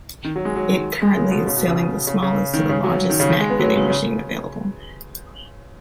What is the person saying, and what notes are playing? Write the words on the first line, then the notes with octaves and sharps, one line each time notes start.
It currently is selling the smallest to the largest snack vending machine available.
D#3
F#3
G#3
F#3
D#3
G#3
C#3
B2
C#3
B2
C#3
C#3
C#3
D#3
C#3
F#3
D#3
C#3
D#3
G#3
B3
F#3
C#3
C#3